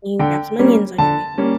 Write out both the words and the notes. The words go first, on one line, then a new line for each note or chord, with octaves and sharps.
"Can you grab some onions on your way home?"
D3 G5
G3 A#3 C#4
D3 A5
G3 A#3 C#4